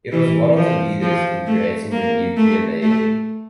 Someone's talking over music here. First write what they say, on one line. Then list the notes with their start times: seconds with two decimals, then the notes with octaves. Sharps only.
It was one of the leaders in creating the nuclear navy.
0.12 E3
0.57 F3
1.02 F3
1.47 A3
1.92 A#3
2.37 A3
2.82 A3